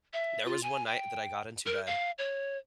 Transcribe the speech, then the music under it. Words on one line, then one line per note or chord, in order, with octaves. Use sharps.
There was one night that I got into bed,
E5
F4
G#5
G5
A#4
F5
C#5